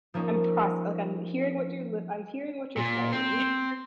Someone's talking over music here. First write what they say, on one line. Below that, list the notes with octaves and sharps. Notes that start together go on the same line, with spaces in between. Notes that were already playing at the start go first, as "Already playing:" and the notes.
I'm proc like I'm hearing what you're l I'm hearing what you're saying,
F3 A#3 C#4 D#4
A#2
C4